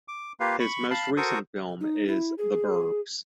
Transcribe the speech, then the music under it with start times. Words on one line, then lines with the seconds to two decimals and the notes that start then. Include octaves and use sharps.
His most recent film is "The 'burbs".
0.08 D6
0.40 A#3 F4 G4 B4 F5
0.60 B5 C#6
0.91 F5 A5 B5
1.17 F#4 A4 A#4 C5 C#6 D#6
1.81 D#4
2.08 E4
2.38 G#4